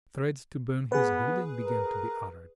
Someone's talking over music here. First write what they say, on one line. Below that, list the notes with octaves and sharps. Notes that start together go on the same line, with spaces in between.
Threats to burn his building began to be uttered.
B3 G#4 B4
A#4